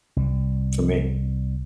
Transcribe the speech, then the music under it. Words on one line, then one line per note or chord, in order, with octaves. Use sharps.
for me.
C2 G3